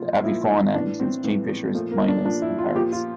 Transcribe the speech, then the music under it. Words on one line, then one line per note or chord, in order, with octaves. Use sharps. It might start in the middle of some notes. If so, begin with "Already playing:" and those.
The avifauna includes kingfishers, mynas and parrots.
Already playing: A#2 F3 F4
A#2 F3 E4
A2 E3 D4
C4
A2 E3
A#2 F3 A3
A#3
D4
A#2 F3 D4
E4
F4
A#2 F3 G4
F4